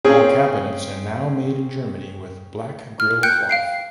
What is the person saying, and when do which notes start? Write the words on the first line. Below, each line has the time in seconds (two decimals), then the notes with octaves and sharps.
All cabinets are now made in Germany with black grill cloth.
0.05 C4 C#4 G#4
3.00 F6
3.23 G5 F#6 G6 C#7
3.49 F5 G5 C7